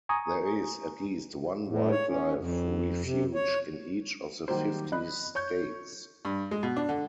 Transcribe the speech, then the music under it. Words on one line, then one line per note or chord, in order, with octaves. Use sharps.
There is at least one wildlife refuge in each of the fifty states.
G#5 A#5 C#6 D#6
A2
C#5
C#4
F2
C3
C#5
D#3 F#3 G3 A#3 G4 C5
D#5 B5 F#6
C#5 C#6 G6
G2
G#3
B2
D4
D3